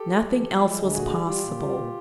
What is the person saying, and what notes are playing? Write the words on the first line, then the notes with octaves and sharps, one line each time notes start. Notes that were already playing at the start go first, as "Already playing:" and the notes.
Nothing else was possible.
Already playing: G4 A4
F3
F3
F3
G#3
D2
A#2 F#4 G#4
G3
G3 F4 G4
A#2
G3
A#2